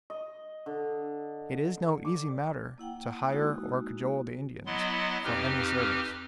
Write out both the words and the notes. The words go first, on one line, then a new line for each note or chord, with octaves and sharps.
It is no easy matter to hire or cajole the Indians for any service.
D#5
D3
D6
A#3 E4 F#5 G5
G#3 A#3 D#4 E4 F#4
F#3 B3 E4 D#5 C6
F2 C4 D#4 G4 B4 F6